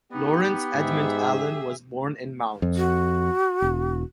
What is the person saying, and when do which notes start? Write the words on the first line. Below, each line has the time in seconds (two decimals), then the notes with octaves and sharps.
Laurence Edmund Allen was born in Mt.
0.12 B3 D#4 G4
0.74 G#2 G#4 E5
2.62 F2
2.77 F#4
3.62 E1